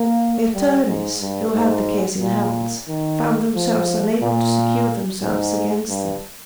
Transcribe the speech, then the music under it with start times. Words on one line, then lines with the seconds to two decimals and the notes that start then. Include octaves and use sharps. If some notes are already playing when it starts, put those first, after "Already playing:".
The attornies who had the case in hands, found themselves unable to secure themselves against her.
Already playing: A#3
0.54 G3
0.88 G#2
1.20 G2
1.54 G#2
2.21 A#2
2.88 D#3
3.55 F3
4.21 A#2
5.22 G#2
5.89 G2